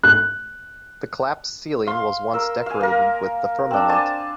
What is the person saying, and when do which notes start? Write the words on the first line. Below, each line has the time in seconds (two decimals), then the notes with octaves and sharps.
The collapsed ceiling was once decorated with the firmament.
0.03 F#6
1.87 F5 C6
2.34 A#4 E6
2.66 F5 G#5
2.81 A#3 A#4
3.71 C4 D4
3.89 C5 D5 G#5 A5